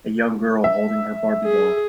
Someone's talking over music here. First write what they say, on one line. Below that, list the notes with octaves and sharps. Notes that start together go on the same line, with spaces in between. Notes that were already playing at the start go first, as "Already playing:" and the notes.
A young girl holding her barbie doll.
E5
G#4